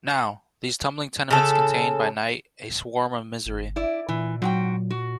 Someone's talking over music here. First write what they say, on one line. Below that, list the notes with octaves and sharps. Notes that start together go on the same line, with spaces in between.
Now, these tumbling tenements contain, by night, a swarm of misery.
C#3 A4
G1
E4 D5
A#2 E3
G#2 F#3 F#4 G5
F#4